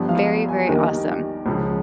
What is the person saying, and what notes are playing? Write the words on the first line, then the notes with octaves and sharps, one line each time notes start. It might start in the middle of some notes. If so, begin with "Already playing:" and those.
Very, very awesome.
Already playing: G1 G2 F3
F5
G#5
D#2 D#3 G3 A#4
C#2 C#3 F3